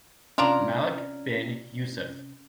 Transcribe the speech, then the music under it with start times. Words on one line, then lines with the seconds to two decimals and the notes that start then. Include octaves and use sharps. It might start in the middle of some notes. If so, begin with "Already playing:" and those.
Malek bin Yusuf.
0.38 C3 C#4 D4 F4 A#4